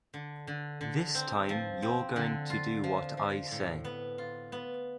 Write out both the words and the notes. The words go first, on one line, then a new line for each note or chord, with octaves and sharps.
This time you're going to do what I say.
D3
D3
D3
C4
F3
C4
D3
F4
F3
F3
A2
B3
F4
B3